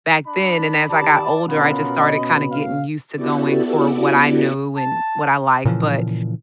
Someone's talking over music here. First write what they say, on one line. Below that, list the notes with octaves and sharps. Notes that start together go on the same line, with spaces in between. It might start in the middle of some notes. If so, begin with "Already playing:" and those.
back then, and, as I got older, I just started kinda getting used to going for what I knew, and what I like, but,
D4 B5
D#3 G4 D5 A5 B5
B2 B3 C#4 F4 A#4 B5
D#5
F5
B3 E4 F#4 G4 A4 D5
A5
A#2 C#3 E3 F3